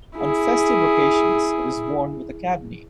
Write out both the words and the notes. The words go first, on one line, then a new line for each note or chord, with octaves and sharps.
On festive occasions, it is worn with a kabney.
E4 G#4